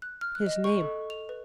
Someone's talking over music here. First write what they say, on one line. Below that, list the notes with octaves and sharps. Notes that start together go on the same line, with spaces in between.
His name?
F#6
F6
F#6
D#5
C#6
A4
F7
B4